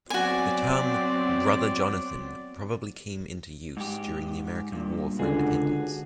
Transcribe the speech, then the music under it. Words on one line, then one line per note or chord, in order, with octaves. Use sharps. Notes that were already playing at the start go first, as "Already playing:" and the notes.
The term "Brother Jonathan" probably came into use during the American War for Independence.
F#3 B3 C4 F#4 D5 G#5
G#2 G4
G2 A#2
C#2 D3 F#4 G#4